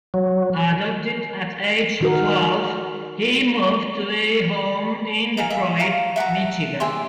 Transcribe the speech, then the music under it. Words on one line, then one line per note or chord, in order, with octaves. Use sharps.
Adopted at age twelve, he moved to a home in Detroit, Michigan.
F#3
D#3 F#4 A#4
D#4 F5 G#5
E5
F5 A5 A#5 C#6
E5 F#5 A5 A#5
G4 G#4 E5 C6